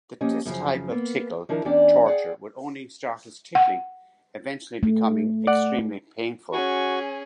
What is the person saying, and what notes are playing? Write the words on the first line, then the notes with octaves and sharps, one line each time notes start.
This type of tickle torture would only start as tickling, eventually becoming extremely painful.
F3 A#3 C#4 G4 D#5
F#2 C#3 E3 F3
A#3 B3
D#3 F3 D4 E4 A#4
E2 C#4 D4 D5 G5
G#4 D5 F#5 G5
F#5
A3
D5 F#5
C#4 F#4 G#4 C#6